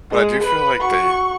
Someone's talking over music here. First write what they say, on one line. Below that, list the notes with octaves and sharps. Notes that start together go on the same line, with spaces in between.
But I do feel, like, they
G#3
B4
F#4 C#6